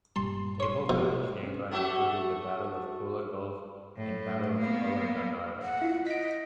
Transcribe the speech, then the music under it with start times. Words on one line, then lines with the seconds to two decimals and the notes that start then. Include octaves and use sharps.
Naval battles nearby included the Battle of Kula Gulf and Battle of Kolombangara.
0.16 G2 A#2 G3 A5 C6
0.60 C#5 C6
0.89 B2 D3 F3 G#3 G4
1.43 C4 C#4
1.71 A3 F#4 E5
3.97 A2
4.59 A#3 B3
5.62 F#5
5.82 E4 F4
6.07 D#5 B6 D7